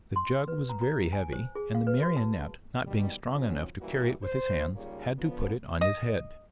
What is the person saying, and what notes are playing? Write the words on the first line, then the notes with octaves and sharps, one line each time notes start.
The jug was very heavy, and the Marionette, not being strong enough to carry it with his hands, had to put it on his head.
C6
B4
A#5
A#5
G#5
C5
G#4
F5
B4
F#4
A5
B2 D#3 G3
D3 D#3 F#3 C4 C#4 F4
C#3 E3 G3 A#3 F#4 G4
C5
G#2 C#3 G3 A#3 C#4 F4
D3 F3 B3
D#5